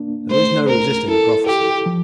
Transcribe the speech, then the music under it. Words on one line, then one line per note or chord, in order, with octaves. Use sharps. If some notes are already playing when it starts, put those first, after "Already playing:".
There is no resisting a prophecy.
Already playing: A#3 D4
A3 C5
C2 A#4
E4 A4
G4 A4
F3